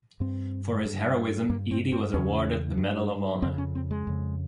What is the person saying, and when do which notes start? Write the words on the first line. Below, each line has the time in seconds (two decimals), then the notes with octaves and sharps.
For his heroism Eadie was awarded the Medal of Honor.
0.20 G2 C4
0.85 G2
1.50 G2 A#3
1.71 C4
1.92 C4
2.14 E2 C#3 C#4
2.78 G2
3.42 F2 C#3 C4
3.58 C#4
3.75 C4
3.91 G#3
4.07 F2 C#3